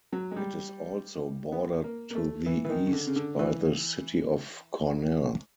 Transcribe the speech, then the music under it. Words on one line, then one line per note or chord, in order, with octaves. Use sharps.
It is also bordered to the east by the city of Cornell.
F#3
G#3
G3
B3
A#3
A#3
A3
E3
E3
D#3
C#3
D3
C#3
D3
E3